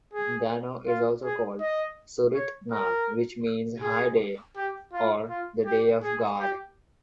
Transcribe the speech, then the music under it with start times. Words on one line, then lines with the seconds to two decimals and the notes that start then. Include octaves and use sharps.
Dano is also called Surit-nal, which means "high day" or "the day of god".
0.14 G#4
0.87 F4
1.25 G#4
1.61 D#5
2.35 C#5
2.72 A#4
3.82 G#4
4.57 G4
4.93 F4
5.30 F4
5.66 G4
6.03 G#4
6.40 G4